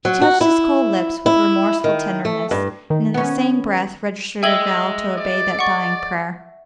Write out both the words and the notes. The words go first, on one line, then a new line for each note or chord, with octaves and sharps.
She touched his cold lips with remorseful tenderness, and in the same breath registered a vow to obey that dying prayer.
F#3
F#4
E4
E4
D#3
A3
G2
D#3
B3 C#4
G#4 D#5 E5 G5 G#6 F#7
D5
F#5 C#6